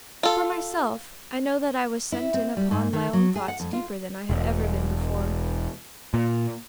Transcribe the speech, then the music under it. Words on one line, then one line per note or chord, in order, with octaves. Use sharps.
For myself, I know that I was sent in upon my own thoughts deeper than I had ever been before.
F4 A4
E4
C4
G3
G#2
D#3
F#3
G#4
F#5
F2
F4
E1
A#2